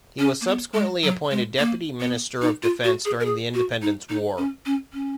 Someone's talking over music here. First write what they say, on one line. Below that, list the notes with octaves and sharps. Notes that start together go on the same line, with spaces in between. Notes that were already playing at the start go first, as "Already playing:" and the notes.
He was subsequently appointed Deputy Minister of Defense during the Independence War.
C#4
A#3
B3
G#3
F#3
G#3
A#3
B3
D#4
F4
F#4
G#4
A#4
G#4
F#4
D#4
D#4
C#4
C#4
C#4